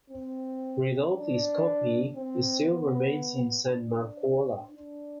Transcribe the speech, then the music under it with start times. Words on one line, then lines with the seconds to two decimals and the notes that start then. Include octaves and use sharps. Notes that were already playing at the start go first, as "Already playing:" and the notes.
Ridolfis copy still remains in San Marcuola.
0.10 C4
1.13 D4
2.15 C4
2.66 B3
3.68 D4
4.71 D4